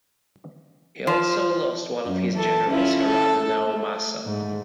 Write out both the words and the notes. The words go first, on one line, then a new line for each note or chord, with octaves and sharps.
He also lost one of his generals, Harada Naomasa.
F3
F#2
E3 A4
C#4 E4 F4
A4
A3
G#2